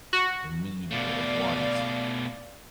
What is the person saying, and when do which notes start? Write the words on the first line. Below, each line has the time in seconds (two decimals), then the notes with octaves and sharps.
I need or want,
0.13 F#4
0.91 B2 A3 D5 F5